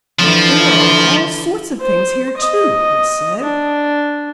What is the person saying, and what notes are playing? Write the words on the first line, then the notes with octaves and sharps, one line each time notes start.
"There are all sorts of things here too," I said.
D3 E3 F3
C5
D#5
D4